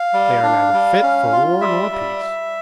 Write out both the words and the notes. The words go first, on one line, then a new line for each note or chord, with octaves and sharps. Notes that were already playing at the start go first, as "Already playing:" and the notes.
They are neither fit for war nor peace!
Already playing: F5
G3
D4
G3
C#4
F4
G3 E5
G3